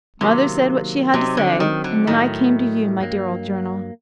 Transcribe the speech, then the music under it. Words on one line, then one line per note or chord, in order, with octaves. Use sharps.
Mother said what she had to say, and then I came to you, my dear old Journal.
C3 D#3 F#3 A#3
C3 F#3 C4 D#4
D3
D#3
D3
A2 D#3 F#3 A3
G2 F#3 A#3